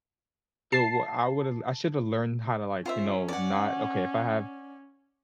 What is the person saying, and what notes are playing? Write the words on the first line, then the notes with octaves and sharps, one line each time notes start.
the w I would've I shoulda learned how to, like, you know, not okay, if I have
A5 C7
C#4 F4 C5 E5
D5 F#5